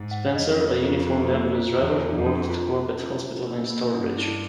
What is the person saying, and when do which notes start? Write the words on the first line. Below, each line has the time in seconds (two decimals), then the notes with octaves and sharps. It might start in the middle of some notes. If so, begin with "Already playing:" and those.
Spencer, a uniformed ambulance driver who worked at Corbett Hospital in Stourbridge.
Already playing: G#2
0.11 F#5
0.35 F2 D#5
0.58 A#4
0.83 F4
1.07 F4
1.30 A#3
1.55 F4
1.78 E2 F4
2.02 F4
2.14 F2
2.26 D4
2.50 F4
2.74 F4
2.98 C#4
3.22 F4
3.46 A#3
3.70 A#3
3.94 G2 C#4
4.18 E4